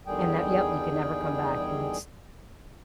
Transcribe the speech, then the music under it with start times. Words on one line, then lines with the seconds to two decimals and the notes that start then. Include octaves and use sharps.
And that yep, you can never come back. You would s
0.06 E2 D3 D#3 G3 G#4 G5